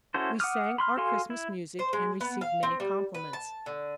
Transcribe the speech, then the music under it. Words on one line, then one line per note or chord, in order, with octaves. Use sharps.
We sang our Christmas music, and received many compliments.
C#4 E4 F#4 A4 C5
F#5 D6 D#6 F6
B5 C6 F6
F#4 A4 F5 G#5 C6
E4
C5
G#3
B3
F5
C4
G3
B4
A5
D3